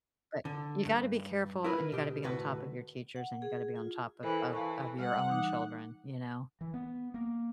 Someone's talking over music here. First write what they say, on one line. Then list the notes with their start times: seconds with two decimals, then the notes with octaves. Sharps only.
but you gotta be careful, and you gotta be on top of your teachers, and you gotta be on top of of of your own children, you know?
0.45 D3
0.85 G2
1.64 E4 A#4 B4
1.92 B2 G4
2.23 D2 A2 F#4 B4
3.16 F#5
3.42 G#4
3.76 F4
4.23 E3 A4 A#4 C5
4.53 E3 F5 A5 C#6
4.98 G3 F#5 F6
5.29 E3 D#4 D6
6.61 E3
6.74 B3
7.14 A#3